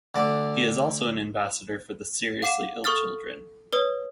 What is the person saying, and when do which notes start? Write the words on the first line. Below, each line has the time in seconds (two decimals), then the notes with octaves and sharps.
He is also an ambassador for the for seriously ill children.
0.15 D2 D3 D5
2.42 F5 F#5 D6 C7 E7
2.84 A4 C#6 D#6 F6 A6
3.73 B4 C#5 D#6